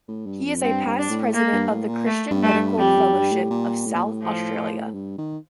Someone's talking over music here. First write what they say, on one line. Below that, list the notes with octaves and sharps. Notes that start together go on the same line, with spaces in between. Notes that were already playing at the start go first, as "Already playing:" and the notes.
He is a past president of the Christian Medical Fellowship of South Australia.
A2
G2
F2
G2 C4
G2
D4
A2
A#3
G2
A2
A#2
A3
G2
A3
G2
F2 G3
F2
G2
A2
A#2
A2
A#2
A2
F3
G2
D#3